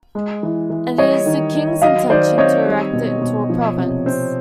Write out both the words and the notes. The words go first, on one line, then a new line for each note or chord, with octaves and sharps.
And it is the King's intention to erect it into a province.
G#3
E3
E3
G3 C#5 D#5
D#3
D#3
F#3 D#5 F5
D#3 C5 D5
C4 C#5 D#5
G3
B2
B2
F3
C3
C4